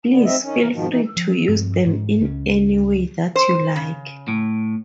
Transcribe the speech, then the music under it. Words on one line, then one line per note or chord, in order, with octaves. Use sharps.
Please feel free to use them in any way that you like.
D3 B3
C4 D#4 D#5 E5
D#3 C#4
E3 A#4
G#2 B2 D#3 F3
E3 D#4
F3
G2 F3 C4
G#2
C#2 C#4
C5
C#3
A2